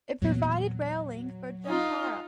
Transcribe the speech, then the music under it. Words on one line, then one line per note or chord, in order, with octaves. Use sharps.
It provided rail link for Jamtara.
E2 A#2 F#3 B3
D#4 F4